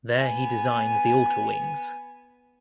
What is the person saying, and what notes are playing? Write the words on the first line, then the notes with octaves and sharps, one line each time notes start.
There he designed the altar wings.
B3 G#5